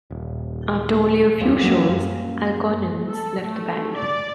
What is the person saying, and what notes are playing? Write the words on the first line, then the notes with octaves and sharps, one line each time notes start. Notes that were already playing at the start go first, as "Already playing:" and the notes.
After only a few shows, Al Collins left the band.
D#1
F#1 E2 A#2 G3
F#3 A#3 C4 C#4
F#2 G#5
A4
A3
D5